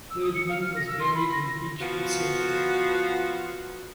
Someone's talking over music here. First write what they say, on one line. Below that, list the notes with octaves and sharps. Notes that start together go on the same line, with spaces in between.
Hurdman was buried in Beechwood Cemetery.
E6
D#6
C#7
F5
F6
A#6
E6
C6
B5
A#6
F3 B3 F4 F#4